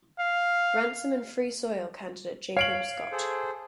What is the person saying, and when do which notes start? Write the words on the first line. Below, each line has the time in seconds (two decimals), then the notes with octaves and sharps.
Ransom and Free Soil candidate Jacob Scott.
0.20 F5
2.57 C#5 F5 D7 F#7
3.12 G#4 A4 C5